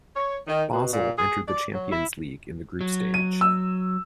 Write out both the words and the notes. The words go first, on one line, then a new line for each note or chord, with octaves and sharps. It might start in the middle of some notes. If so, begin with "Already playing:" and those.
Basel entered the Champions League in the group stage.
C#5
D#3
B2
A#2
G#4
D5
F#3
E4
F#3
D#7
E6